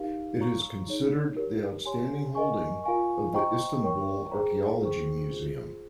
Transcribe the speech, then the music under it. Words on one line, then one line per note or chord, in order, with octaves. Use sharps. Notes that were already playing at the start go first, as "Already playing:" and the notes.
It is considered the outstanding holding of the Istanbul Archaeology Museum.
Already playing: D#4 G4 A#4 F5
C#5 F5 A#5 C#6
D#4 G#4 C#5
G4 A#4 C#5
G4 C#5 G#5 C6
A#4 D#5 G#5 C#6
F4 A#4 F5 G#5 C#6
C5 D#5 G5 A#5 C#6
A#4 C#5 G5 C#6
G#4 C5 G5 A#5
G#4 C5 G5 C#6
F4 G#4 C5